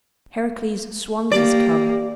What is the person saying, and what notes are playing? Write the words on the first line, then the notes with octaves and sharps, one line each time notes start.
Heracles swung his club.
A#3 G4 D5